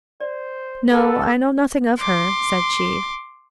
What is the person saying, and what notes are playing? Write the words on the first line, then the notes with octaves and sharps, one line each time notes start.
'No, I know nothing of her,' said she.
C5 D5
B3 A4 B4 B5
C6 D6